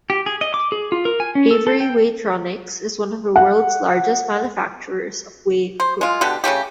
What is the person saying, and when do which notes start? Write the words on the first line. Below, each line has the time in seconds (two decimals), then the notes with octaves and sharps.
Avery Weigh-Tronix is one of the world's largest manufacturers of weighing equipment.
0.10 G4
0.26 G#4
0.41 D#5
0.54 D6
0.72 G#4
0.92 F4
1.05 A#4
1.20 G#5
1.35 C#4
1.51 A4
1.67 A4
1.80 G5
3.36 F#5
5.80 C5
6.01 G#3 F4
6.21 B2 D3 G4
6.44 C#3 F3 A3 G4